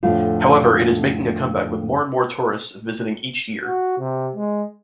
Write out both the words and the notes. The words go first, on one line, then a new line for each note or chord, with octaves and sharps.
However, it is making a comeback with more and more tourists visiting each year.
F2 A2 D3 F3 A3 F4
F#4
C3
G#3